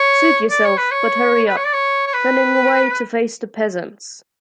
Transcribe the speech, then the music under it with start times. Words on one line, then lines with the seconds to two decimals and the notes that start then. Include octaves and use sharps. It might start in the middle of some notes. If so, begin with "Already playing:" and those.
Suit yourself, but hurry up. - Turning away to face the peasants.
Already playing: C#5
0.50 D5
0.65 C#5
0.78 B4
0.91 C#5
1.48 B4
1.57 C#5
1.64 D5
1.73 C#5
2.07 C#5
2.14 B4